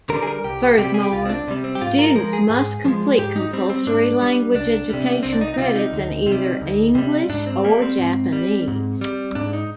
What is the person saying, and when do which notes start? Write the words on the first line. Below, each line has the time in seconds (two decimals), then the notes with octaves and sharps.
Furthermore, students must complete compulsory language education credits in either English or Japanese.
0.09 D3 G3 A#4
0.23 G#4
0.28 A#4
0.44 C2 G4
0.78 C3 G3 G4
0.94 G#4
1.03 G4
1.12 C2 F4
1.25 C4
1.29 D4
1.48 C3 G3
1.64 C4
1.75 G4
1.82 G#2 F4
1.99 A#4
2.15 F3 G#3 A#4
2.33 G#4
2.49 G#2
2.84 F3 G#3
3.18 G#2 G4
3.36 D#4
3.53 G3 C4
3.70 C4
3.87 G#2 D4
4.22 G3
4.55 C2 D4
4.90 C3 G3
5.23 C2 C4
5.32 D4
5.41 D#4
5.54 D#4
5.58 C3 G3 F4
5.76 D#4
5.93 D2
6.26 C3
6.32 G3
6.61 D2
6.95 C3 G3
7.30 G#2 D4
7.47 C4
7.64 G3 A#3
7.82 C4
7.99 G#2
8.32 G3
8.68 G#2
9.01 G3
9.35 G#2 D4
9.53 D#4